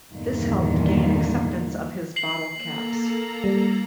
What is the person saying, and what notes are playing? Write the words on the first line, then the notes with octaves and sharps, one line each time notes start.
This helped gain acceptance of his bottle caps.
E2 G2 A#2 D3 D#3 A#3
C7 F#7
A#3 A4 A#5
G3